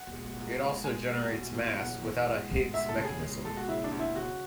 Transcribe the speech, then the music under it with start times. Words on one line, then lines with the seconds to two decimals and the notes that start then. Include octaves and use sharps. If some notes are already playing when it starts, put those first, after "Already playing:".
It also generates mass without a Higgs mechanism.
Already playing: F#5
0.13 G#3
0.36 C#2
0.60 G#3
0.84 G#3 G#5
1.08 B2
1.32 B2
1.55 E2
1.78 F#1 F#5
2.02 E2
2.26 G#3
2.50 G#3
2.74 D2 E5
2.89 A4
2.97 C#3
3.05 G#4
3.21 G#3
3.45 G#3 A4
3.57 F#4
3.68 C#3 E4
3.84 D4
3.91 D2
3.99 E4
4.16 C#3 F#4